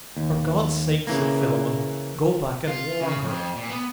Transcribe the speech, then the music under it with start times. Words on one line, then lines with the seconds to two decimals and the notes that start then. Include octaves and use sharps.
'For God's sake,' said Philammon, 'go back and warn her!
0.17 D#2
1.07 C#3 E3 A#3
2.67 F4
3.01 C#3
3.24 F2
3.56 A#2
3.70 B3